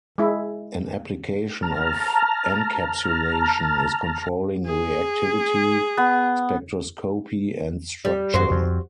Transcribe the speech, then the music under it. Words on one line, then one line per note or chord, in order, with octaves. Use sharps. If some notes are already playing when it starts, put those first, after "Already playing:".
An application of encapsulation is controlling reactivity, spectroscopy, and structure.
G#3 E4
A5 A#5 F6
G#4
B3
G3
F#2 F#4 C5
F2